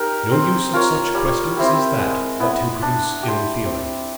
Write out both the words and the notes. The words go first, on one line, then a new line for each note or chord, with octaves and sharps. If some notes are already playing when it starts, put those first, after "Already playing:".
No use of such questions as that but to produce ill feeling.
Already playing: D#4 G4 A#4
C4
F4 A#4 C#5
G3
C4 E4 G4
G#3
B3 E4
D4
G4 C5
C4